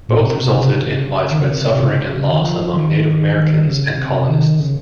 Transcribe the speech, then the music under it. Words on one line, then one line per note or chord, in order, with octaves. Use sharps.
Both resulted in widespread suffering and loss among Native Americans and colonists.
A#2
A#2
C3
C#3
C#3
D#3
C#3
C3
C3
C#3
C#3
D#3
F3
D#3
D#3
C#3
C3
D#3
C#3